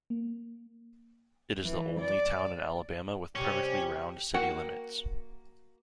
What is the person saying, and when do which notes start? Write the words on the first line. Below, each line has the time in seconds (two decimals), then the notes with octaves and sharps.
It is the only town in Alabama with perfectly round city limits.
0.10 A#3
1.66 E3
2.01 D5
3.36 C3 G3 C#4 G4
4.34 A#3 F#4 F#5 G5